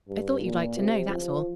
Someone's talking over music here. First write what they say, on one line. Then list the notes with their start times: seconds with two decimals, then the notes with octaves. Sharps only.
I thought you'd like to know, that's all.
0.09 G2
0.43 A#2
0.77 C3
1.10 F3